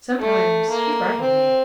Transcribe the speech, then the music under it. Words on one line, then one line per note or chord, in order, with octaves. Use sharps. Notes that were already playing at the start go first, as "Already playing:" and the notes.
Sometimes she frightened me.
A3
A#3
C4